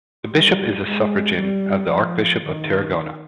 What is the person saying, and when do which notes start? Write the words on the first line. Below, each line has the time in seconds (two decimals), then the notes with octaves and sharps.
The bishop is a suffragan of the Archbishop of Tarragona.
0.30 G3
0.85 G#3
1.38 G3
1.93 F3
2.47 D#3